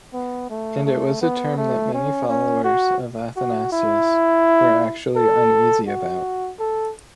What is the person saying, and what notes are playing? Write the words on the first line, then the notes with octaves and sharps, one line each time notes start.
And it was a term that many followers of Athanasius were actually uneasy about.
B3
A3
A3
B3
A3
C#4
C#4
F#4
F#4
E4
A4
F#4
A4